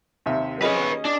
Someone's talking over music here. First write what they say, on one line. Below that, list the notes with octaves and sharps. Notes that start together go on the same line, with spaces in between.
or my
D#2 C3 E5
C#4 G#4 B4 C#5 D#5
D4